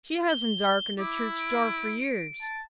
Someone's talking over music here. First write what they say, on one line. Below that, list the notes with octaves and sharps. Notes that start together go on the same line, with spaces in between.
She hasn't darkened a church door for years.
G7
E4 D6
D7
A5